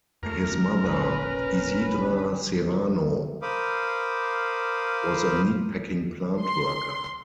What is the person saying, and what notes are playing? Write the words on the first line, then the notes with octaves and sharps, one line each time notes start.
His mother Isidra Serrano was a meatpacking plant worker.
F2 A3 A#4
E1 A#1 C#4 B4
A#4 C5 F5 B5 D6 D#6
C6